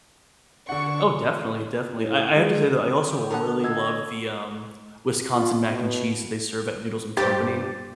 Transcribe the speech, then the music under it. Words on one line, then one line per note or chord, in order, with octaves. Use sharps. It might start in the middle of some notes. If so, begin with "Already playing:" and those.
th oh, definitely, definitely, I I have to say though, I also really love the, um, Wisconsin mac and cheese that they serve at Noodles and Company.
D3 D4 F#5 C#6
A2
G#3
C#5
G4
D3 B3 A#4 F#5
B2 D#5 E6 G#6
F4
B2
G2 G4 C5 A6